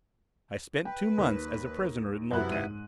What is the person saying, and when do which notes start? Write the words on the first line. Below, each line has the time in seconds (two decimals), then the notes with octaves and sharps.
I spent two months as a prisoner in Lo-Tan.
0.85 B4 G5
1.18 D#2
2.31 F#2 C3 B3 E4 F#6
2.50 G#2 D#7